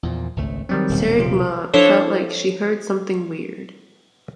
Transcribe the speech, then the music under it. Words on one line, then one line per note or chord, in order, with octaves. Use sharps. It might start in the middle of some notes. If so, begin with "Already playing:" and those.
Tseregmaa felt like she heard something weird.
E2 A#2 F3
G#1 C#2 A3
D#3 F#3 G3 C4
D#1 B1 C#3
C3 F3 F4
F3 D4 E4 A4 C5 C#5